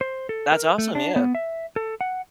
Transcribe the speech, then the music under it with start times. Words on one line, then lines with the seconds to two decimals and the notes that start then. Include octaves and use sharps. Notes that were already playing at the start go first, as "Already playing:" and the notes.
That's awesome, yeah.
0.01 C5
0.29 A4
0.52 A#4
0.78 A3
0.95 D4
1.16 B3
1.35 E5
1.76 A4
2.01 F#5